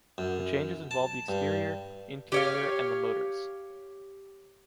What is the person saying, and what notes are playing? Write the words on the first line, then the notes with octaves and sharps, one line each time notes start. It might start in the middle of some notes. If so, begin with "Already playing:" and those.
The changes involve the exterior, interior and the motors.
F#2
A5
G2
G4 C#5 F5